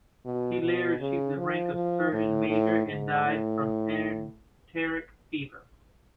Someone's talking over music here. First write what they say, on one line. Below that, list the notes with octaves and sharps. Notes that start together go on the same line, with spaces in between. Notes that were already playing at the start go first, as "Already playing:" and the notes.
He later achieved the rank of surgeon major and died from enteric fever.
B2
B2
C#3
F3
F3
A2
A2
G#2
A2